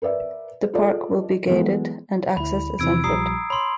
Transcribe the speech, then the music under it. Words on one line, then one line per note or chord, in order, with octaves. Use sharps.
The park will be gated and access is on foot.
A#4 B4 D5 E5
F4 G#4 A4 D5 D#5
E3 F#3 G#3 B3 G#4 A4
D2 E4 B5
E2 C3 E3 E6 G#6 D7
A#1 F3 G3 A#5 D#6 C7
C#5 B5 C6